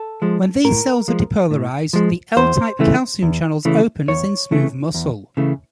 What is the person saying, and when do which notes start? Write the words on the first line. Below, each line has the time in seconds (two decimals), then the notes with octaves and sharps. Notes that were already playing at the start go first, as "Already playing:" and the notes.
When these cells are depolarized, the L-type calcium channels open as in smooth muscle.
Already playing: A4
0.22 F3 G#3
0.64 A2 A#4
1.08 F3 G#3
1.51 A2
1.93 F3 G#3
2.36 E2 C5
2.79 C#3 E3 A3
3.23 E2
3.65 C#3 E3 A3
4.08 E2 C#5
4.51 C#3 E3 A3
4.94 E2
5.37 C#3 E3 A3